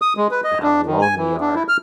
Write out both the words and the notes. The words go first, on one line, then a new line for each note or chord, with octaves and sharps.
how alone we are.
D#6
G#3
B4
D#5
D4
D#3
G#5
E3
D4
E4
F6